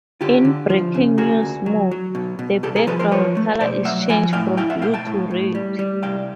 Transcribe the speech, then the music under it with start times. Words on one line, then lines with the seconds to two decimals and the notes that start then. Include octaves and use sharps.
In breaking news mode, the background color is changed from blue to red.
0.21 D3 F4 G4
0.45 D3
0.70 F3
0.94 C#3
1.18 A#3 F#4 G#4
1.43 D2
1.66 F#3
1.91 F#3
2.15 B2
2.39 B2
2.63 C2 G4 A4
2.76 G#4 A#4
2.87 F3 A4 B4
2.99 A#4 C5
3.12 F3 B4 C#5
3.37 A3
3.60 B2 C5 D5
3.85 F#3 E5 F#5
4.09 F3 F#5 G#5
4.33 A2 F5 G5
4.57 E4 F5 G5
4.70 E5 F#5
4.82 B2 F5 G5
4.94 G5 A5
5.07 A2
5.31 A2
5.55 G3
5.79 G3
6.03 C2 F5 G5